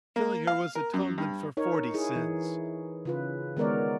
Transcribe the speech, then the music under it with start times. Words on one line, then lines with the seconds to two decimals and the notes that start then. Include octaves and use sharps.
Killing her was atonement for forty sins.
0.16 A#3
0.47 F5
0.75 A#4
0.94 F#2
1.18 G2
1.57 D#4 A#4 C#5
1.94 E4 G#4
2.16 E3
3.05 C#3 F4 B4
3.57 D#3 G#3 B3 A#4 C#5 D5